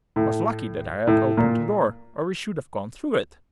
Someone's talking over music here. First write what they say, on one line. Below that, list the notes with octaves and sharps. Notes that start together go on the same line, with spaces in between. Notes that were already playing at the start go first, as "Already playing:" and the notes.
It was lucky that I had opened the door, or we should have gone through it.
A2
A2
A#2